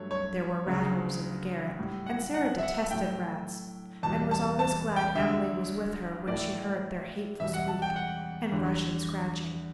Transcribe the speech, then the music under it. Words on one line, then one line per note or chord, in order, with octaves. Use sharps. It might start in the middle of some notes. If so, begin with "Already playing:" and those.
There were rat-holes in the garret, and Sara detested rats, and was always glad Emily was with her when she heard their hateful squeak and rush and scratching.
Already playing: G2 F#3 A3 C#5
C#5
D2 C#3 F#3
A2 G3
F#5
F#5
E5
F#5
A2 F#3 A3 G5
E2 B2 G3 A5
A5
A5
G5
D2 D3 G3 E5
A2 E3 A3 D5
E2 B2 G3 E5
F#5
A5
G5
F#5
E2 D3 G3